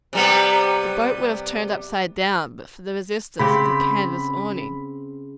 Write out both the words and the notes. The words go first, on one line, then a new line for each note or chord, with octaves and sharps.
The boat would have turned upside down but for the resistance of the canvas awning.
C3 G3 B3
C#3 C4 G4 B5